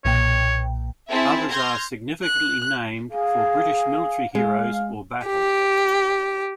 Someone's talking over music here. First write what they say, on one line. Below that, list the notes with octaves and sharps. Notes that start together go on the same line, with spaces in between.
Others are significantly named for British military heroes or battles.
B1 A#2 C#5 G5
C4 E4 G#4 E5 A5
C6 F6 G6 G#6 A#6
F#6
G#4 F5
G#3 F5
G4